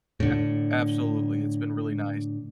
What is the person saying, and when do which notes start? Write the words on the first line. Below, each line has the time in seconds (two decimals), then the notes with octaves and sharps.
A absolutely, it's been really nice.
0.20 A2 D3